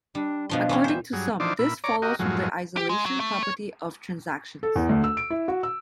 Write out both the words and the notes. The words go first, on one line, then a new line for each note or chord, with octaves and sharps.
According to some, this follows from the isolation property of transactions.
G3 D4
B2 F3 D4 C6
E3 G3 C#4
C5 E5
G2 F#3 G#4
E3 F3 D4 D#4 C5 D5
A#2 E4 B5
C#5 D5 A#5 D6
F#4 G4 A#4 D#5
F#2 A2 F3 F#3 G#3
G4
G#3
F#3
A3
C#5
A4
E2
D2
E6
D7
E4
F#4
E6